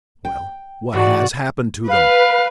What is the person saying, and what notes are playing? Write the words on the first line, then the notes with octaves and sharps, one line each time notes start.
"Well, what has happened to them?"
G5
G#2 E3 F#4 D5
B4 F5